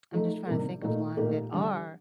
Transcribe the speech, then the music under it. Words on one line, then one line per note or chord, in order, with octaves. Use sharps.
I'm just trying to think of one that are
F3 A3 D#4 A4
C3 D#3 G3 A#3
A#2 A3 D#4
A#2 A3 D#4 G4 A#4
D3 G3 D4